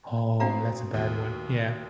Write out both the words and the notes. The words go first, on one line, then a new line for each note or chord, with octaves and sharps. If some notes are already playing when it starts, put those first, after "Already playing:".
Oh, that's a bad one, yeah.
B2 C4 D4 F5 A#5 C7
D#2 B2